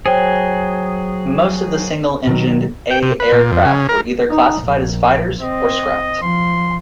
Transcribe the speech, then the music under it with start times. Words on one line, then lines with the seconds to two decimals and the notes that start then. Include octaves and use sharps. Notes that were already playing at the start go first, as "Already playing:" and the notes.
Most of the single-engined "A" aircraft were either classified as fighters, or scrapped.
0.06 F#3 G#4 C5 C#5 G5
2.27 B2 D#3 F#3
2.90 G5
3.03 C3
3.20 B4
3.32 A#2
3.52 F2
3.66 C#3
3.89 A#4
4.29 D#4
4.63 A#1
5.42 C4 D#5
6.22 F3 C6